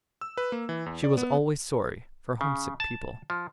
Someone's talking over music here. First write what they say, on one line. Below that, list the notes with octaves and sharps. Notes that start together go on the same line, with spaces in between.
She was always sorry for homesick people.
E6
B4
A#3
E3
E2
D5
B3
C#3
A5
F3